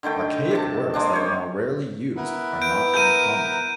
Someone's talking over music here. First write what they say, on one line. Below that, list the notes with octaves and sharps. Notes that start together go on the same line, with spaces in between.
Archaic words that are now rarely used are not uncommon.
D3 D#3 A3 G5
C3 A5
G#3 A#3 D4
C5 C#5
B3 E4 A#4 B4
G6 D7
A#4 G6 D#7